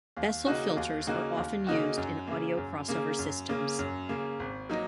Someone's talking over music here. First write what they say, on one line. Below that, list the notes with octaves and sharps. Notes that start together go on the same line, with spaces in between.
Bessel filters are often used in audio crossover systems.
D#2
C#3 A#3 D#4 F#4
D#2
C#3 A#3 D#4 F#4
D#2
C#3 A#3 D#4 F#4
F#2
C#3 A#3
F#2
C#3 A#3
F#2
C#3 A#3
F#2
C#3 A#3
G#1
F#3 A#3 D#4